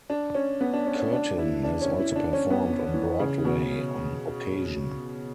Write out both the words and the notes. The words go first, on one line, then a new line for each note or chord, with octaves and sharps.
Curtin has also performed on Broadway on occasion.
D4
C#4
B3
D4
C#4
C#4
D4
E4
D4
C#4
E4
D4
C#4
B3
E3
C#3
B2